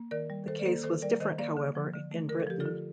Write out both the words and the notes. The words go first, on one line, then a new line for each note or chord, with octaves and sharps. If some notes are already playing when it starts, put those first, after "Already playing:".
The case was different, however, in Britain.
Already playing: A#3
D#3 A#4 D5
G3
D#3 A4 C5
D5
A#3 A4 C5
D#3 A4 C5
G3 A#4 D5
D#3 C5 D#5
A#3 D5 F5
D3
F3
D3
A3
D3 A#4
A4
F3 G4
F4 A4
D3